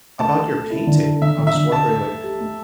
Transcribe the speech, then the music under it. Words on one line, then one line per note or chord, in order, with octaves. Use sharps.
about your painting, I was wondering, like,
A3 A5
A4
A4
E4
D3
A4
D3 E5
D3
E5
D3
A4 A5
A3
A4
G4
A3